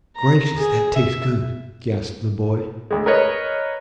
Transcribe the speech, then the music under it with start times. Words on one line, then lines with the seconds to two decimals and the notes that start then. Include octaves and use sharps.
"Gracious, that tastes good!" gasped the boy.
0.16 A#5
0.58 G#4
0.96 E5
2.91 D2 G#3
3.06 A#4 B4 C#5 D#5